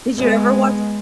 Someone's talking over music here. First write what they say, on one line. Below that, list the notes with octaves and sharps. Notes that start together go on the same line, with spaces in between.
Did you ever watch
G#3 B3